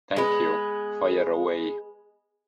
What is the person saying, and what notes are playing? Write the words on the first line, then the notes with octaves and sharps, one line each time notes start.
Thank you; fire away.
G#3 B3